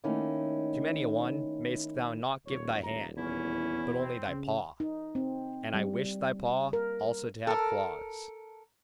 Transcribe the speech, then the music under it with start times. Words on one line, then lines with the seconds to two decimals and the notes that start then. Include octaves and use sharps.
To many a one mayest thou not give thy hand, but only thy paw; and I wish thy paw also to have claws.
0.04 D#3 A3 A#3 C#4 D#4 E4
2.47 D#1 C#5
2.82 A#5
3.18 E2 C#4 E4
3.93 C4
4.28 C#3
4.80 D#4
5.15 C4
5.74 G3
6.73 A#4
7.47 A4 A#4